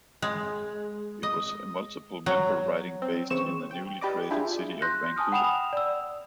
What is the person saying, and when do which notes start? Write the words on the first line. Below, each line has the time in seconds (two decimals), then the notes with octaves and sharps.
It was a multiple member riding based in the newly created city of Vancouver.
0.22 G#3
1.23 D#5
2.26 F#3
3.02 C4
3.30 C#3 E3 C4 C#6 E7
3.71 G5
4.01 G4 B4 D5 D#5 D6
4.30 D4 E4 F4 G4 G#4
4.82 C6 F#6 G6 A#6
5.16 G#5 A5 D#6 F6
5.32 F#5 G5 B5 D#6 E7 F7
5.73 D5 E6